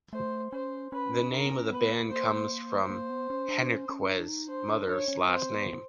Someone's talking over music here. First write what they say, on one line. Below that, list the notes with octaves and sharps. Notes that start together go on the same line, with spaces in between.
The name of the band comes from Henríquez’s mother’s last name.
A3 C5
C#4 C5
C#4 B4
D4 A#4
C4
C#4
B3 B4
A#3
A#3 C5
C5
A#3
B3
C#4
D4
C#4
C#4
D4
D#4
D4 C5
D4
D4 C#5
C#4
C4 C5
B3